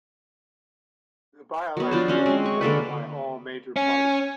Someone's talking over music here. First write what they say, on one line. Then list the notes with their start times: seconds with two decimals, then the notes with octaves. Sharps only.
The by-election was contested by all major parties.
1.77 F#3 B3
1.91 F3 D4 C5
2.08 F#3 C#4 F#4
2.26 G#3 C4 G#4
2.46 C#6
2.61 D3 A#3 A4 B4
3.76 C#4 G#5